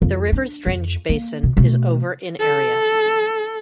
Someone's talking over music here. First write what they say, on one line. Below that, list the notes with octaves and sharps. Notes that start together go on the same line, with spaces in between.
The river's drainage basin is over in area.
F2
D4
F2
A#3
B2
B2 A3
A4